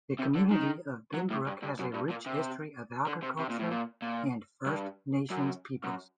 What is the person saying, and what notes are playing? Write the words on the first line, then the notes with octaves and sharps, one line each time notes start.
The community of Binbrook has a rich history of agriculture and First Nations peoples.
C3
D3
D#3
F#3
A2
G2
G2
F#2
G2
A#2
C3
D3
C3
C3
A#2
A2
A#2
A#2
G2
F#2
F#2